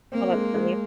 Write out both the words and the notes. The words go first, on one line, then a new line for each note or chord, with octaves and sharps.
Hold up, honey.
A#3 C4
G#3
G#3